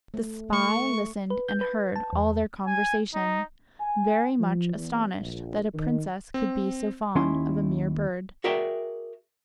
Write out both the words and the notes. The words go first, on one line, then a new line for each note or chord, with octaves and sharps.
The spy listened and heard all their conversation, very much astonished that a princess could be so fond of a mere bird.
A3
A3 C#6
B4
G6
B4
A5
E2
G#5
D#4
G#5
F3
E2
A#1
D#3
C4
D#2 C#4 E4 G#5 C6
F#4 G#4 A#4 D5 E5 G5